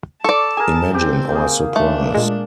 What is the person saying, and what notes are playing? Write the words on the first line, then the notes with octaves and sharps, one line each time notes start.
Imagine our surprise.
A4 D5 A5 C#6
G#4 A#4 G#5
C4 G4
A#3 G#4
A3 D4
A#2 G#3